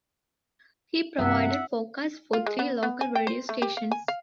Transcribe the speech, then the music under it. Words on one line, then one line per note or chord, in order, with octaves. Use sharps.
He provided forecasts for three local radio stations.
G2 C3 E5 F#5
F4
G#3
B3
B3
G#5
G5
C5
A3
G4
F5
G#5
F5